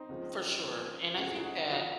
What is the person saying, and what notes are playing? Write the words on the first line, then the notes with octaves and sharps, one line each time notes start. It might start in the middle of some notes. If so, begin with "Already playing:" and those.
For sure. And I think that
Already playing: C4 D#4
C#2 C#3 F3
C#2 C#3 F3
C#2 C#3 F3 F#4
G#4
D#4 F#4
C#3 F3 D#4 F#4